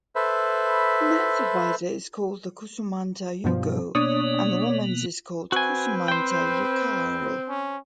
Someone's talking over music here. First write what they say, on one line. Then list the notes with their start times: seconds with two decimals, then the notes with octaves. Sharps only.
The man's advisor is called the "khoussoumanta-yougo" and the woman's is called "khoussoumanta-yakhare".
0.15 A4 B4 C5 E5 B5
3.44 G2 B2 F3
3.95 B2 A#3 B3 D4 C#5 D5 D#6
5.52 C4 F#4 B4 G#5
6.08 C5 G5
7.48 C#4